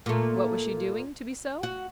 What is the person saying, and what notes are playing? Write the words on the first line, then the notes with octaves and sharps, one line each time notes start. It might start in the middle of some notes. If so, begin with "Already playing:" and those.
What was she doing to be so?
A#2 A3
F#4